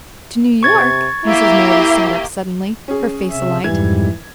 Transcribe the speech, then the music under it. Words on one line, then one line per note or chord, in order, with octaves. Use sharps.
"To New York?" Mrs. Merideth sat up suddenly, her face alight.
C3 C#6 G#6 A6
A#3 E4 G4 E5
C#4 G#4
C3 E5
F2 G#2 E3 G3 G#6